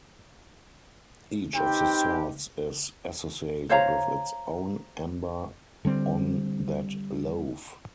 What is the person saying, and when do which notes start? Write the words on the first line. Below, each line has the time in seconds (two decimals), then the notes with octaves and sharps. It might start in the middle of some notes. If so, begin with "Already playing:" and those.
Each of the sorts is associated with its own ember on that loaf.
1.55 C4 D#4 G4 B4 G5
3.69 C5 C#5 F5 A#5
5.85 D3 G3 C4